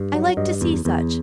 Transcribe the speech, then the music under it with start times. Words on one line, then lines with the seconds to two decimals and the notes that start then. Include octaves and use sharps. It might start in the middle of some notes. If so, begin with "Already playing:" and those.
I like to see such.
Already playing: G2
0.13 F#3
0.37 G2 D#5
0.61 E2
0.85 E2